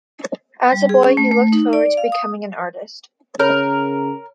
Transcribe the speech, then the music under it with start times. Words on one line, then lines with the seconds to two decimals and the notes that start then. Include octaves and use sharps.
As a boy he looked forward to becoming an Artist.
0.72 G3
0.89 G#4
1.04 C#4
1.17 A3
1.32 A3
1.52 D#4
1.73 D5
1.97 F5
2.12 D#6
3.39 C#3 A#4 C#5